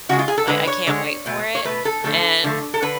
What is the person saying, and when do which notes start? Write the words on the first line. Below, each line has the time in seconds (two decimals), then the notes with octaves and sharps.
I I can't wait for it, and
0.09 C#3 G#3 F#4
0.19 F4
0.28 G#4
0.38 A4
0.47 D3 G#3 B4
0.67 C#5
0.87 D3 G#3 C#5
1.26 B2 A3
1.55 C#5
1.65 B2 A3 B4
1.85 A4
2.04 D3 F3 A3 A4
2.44 D3 F3 A3
2.74 A4
2.82 D3 B4